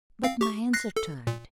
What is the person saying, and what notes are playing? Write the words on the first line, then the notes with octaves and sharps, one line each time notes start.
But my hands are tied.
C4 F5
G4 C#6
F#6 A#6 C7
A4
A#2